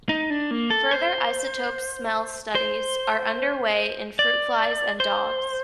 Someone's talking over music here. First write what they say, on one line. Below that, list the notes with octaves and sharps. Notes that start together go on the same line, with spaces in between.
Further isotope smell studies are under way in fruit flies and dogs.
D#4
D4
A#3
A4
C5
C5
D5
C5